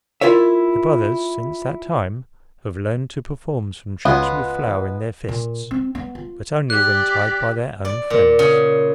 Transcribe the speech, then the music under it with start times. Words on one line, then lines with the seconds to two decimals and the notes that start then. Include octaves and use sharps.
The "brothers," since that time, have learned to perform some tricks with flour in their fists, but only when tied by their own friends.
0.21 E4 F4 A#4 C#5 E5
4.05 C#2 G#3 B3 F4 F#4 C#5
5.29 A#2
5.71 C4
5.95 B3
6.15 F4
6.70 G4 D5 F#6
7.85 D5
8.10 A#2
8.39 C#3